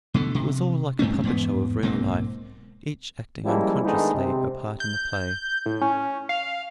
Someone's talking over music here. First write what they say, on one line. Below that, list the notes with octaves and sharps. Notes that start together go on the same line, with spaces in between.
It was all like a puppetshow of real life, each acting unconsciously a part in the play.
B2 D3 A3
C3
G2 A3 C4 C#4
E2 G#2 B3
B1 G#2 A#3 C4
F3 G3 G#3 A#3 C#4 E4
D#3 G#3 A3 B3 D4 D#4
C3 C4
G6
A2
C#4
F5